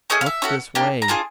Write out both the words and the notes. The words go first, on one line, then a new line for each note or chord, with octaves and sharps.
Look this way!
A3 C#4 G#4 D#5
F5
E5
C#4 F#4 A4
A#3 D4 G4
A#5
D4 F4 G#4 A5